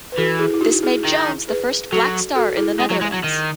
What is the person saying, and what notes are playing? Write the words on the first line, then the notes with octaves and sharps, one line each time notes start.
This made Jones the first black star in the Netherlands.
B4
E3 F#4 A4
E4 G#4
E4
D#4 F#4
E4 G#4
D#3
G#4 B4
F#3 F#4 A4
F#4 A4
E4 G#4
G#3
F#3
G#3
F#3
D#3